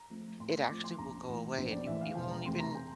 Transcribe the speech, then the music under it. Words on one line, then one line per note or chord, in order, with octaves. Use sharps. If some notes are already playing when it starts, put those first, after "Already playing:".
it actually will go away, and you w you won't even
Already playing: A#5
F3 A3 C4
A2 C6
F3 A3 C4 D6
C6
A#1 A#5
A2 E3
A#1 C5
D5
A2 E3 E5
F5
E1 G5
A#5
E2 C3 E3 A3 C6
A#5
G5